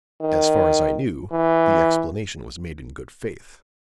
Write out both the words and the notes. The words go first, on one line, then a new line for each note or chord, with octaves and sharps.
As far as I knew the explanation was made in good faith.
D#3
E3